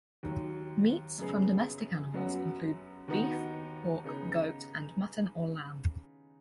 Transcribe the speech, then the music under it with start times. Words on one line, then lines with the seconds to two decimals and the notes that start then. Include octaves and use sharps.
Meats from domestic animals include beef, pork, goat and mutton or lamb.
0.23 D#2 D#3 F#3
1.18 F#2 C#3 B3 G#4
2.14 F#2 F#3 B3 F#4
3.08 D#2 D#3 B3 D#4 F#4
4.04 C#3 B3 D#4 B4